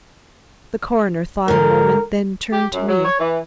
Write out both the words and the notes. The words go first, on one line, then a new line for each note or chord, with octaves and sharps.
The coroner thought a moment, then turned to me.
G#2 D3 A#4
G4
F#2
F#3
C#5
E3